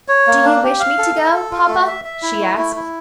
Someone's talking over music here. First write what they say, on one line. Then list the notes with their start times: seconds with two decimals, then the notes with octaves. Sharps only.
"Do you wish me to go, papa?" she asked.
0.08 C#5
0.27 A#3
0.44 D4
0.63 G4
0.80 F5
0.98 A4
1.16 A4
1.33 A4
1.51 F4
1.68 A3
1.87 E5
2.05 E5
2.22 E4
2.40 A3
2.58 E4
2.76 E4